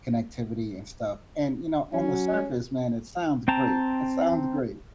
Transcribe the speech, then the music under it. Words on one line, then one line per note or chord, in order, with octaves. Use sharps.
connectivity and stuff," and, you know, on the surface, man, it sounds great, it sounds great,
F#3 C#4
C4 G5 A5 A#5